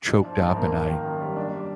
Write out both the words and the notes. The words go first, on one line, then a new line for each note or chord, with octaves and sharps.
choked up and I
D4
F3
G#2
A#3
A#3
D#3
F#2
G3
D4
G3